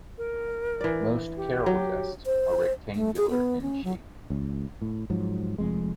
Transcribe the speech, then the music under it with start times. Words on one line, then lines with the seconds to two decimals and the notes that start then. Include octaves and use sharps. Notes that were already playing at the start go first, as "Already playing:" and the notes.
Most carrel desks are rectangular in shape.
0.18 A#4
0.81 E3 D5
1.37 G4
1.66 F#3
2.26 C5
2.95 A3
3.16 G#4
3.30 B3
3.61 C#4
3.84 F#3
4.30 C#2
4.82 A2
5.10 G#2 F3 F#3
5.58 F1 F2 G#3